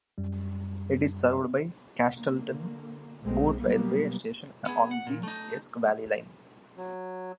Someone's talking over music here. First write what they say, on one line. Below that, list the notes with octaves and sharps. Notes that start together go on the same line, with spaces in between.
It is served by Castleton Moor railway station on the Esk Valley Line.
F#2 G3
D3 A#3
B1 G#3 A3 C4
B2 F#3 G3 A#3 B3
B3 G#4
F#5
A#2
A3 D#4
F#3